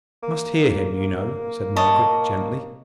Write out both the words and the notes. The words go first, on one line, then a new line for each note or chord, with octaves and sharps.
"I must hear him, you know," said Margaret, gently.
A#3
C#5 D#5 A5